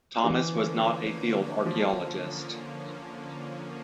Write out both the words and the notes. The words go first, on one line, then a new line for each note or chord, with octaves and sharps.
Thomas was not a field archaeologist.
D3 E3 F3 A#3 C#4
F3